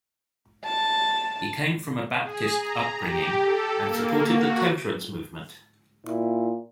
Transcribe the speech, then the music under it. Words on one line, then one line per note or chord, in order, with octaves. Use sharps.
He came from a Baptist upbringing, and supported the temperance movement.
A5
G#4
A#5
G4
A4
A#3
F#4
A#2 E4